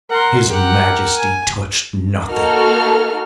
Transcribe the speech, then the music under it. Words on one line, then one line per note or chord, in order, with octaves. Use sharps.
His Majesty touched nothing.
A#4 F#5 C6
G4 A#4 F#5
G#5
A#3 D#4 F#4 A4 F6